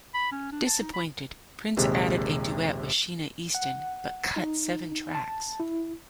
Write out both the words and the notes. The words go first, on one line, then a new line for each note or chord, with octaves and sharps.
Disappointed, Prince added a duet with Sheena Easton, but cut seven tracks.
B5
C#4
D4
A5
D#4
B5
A#1 D#2 C3 G#3
F#5
D#4
A5
E4